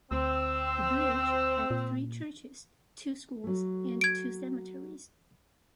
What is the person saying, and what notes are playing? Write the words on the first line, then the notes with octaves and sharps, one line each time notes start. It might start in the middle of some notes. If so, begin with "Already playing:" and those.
The Village had three churches, two schools, and two cemeteries.
D2 C4 E6
A#2
F#3 A3
G#6 D7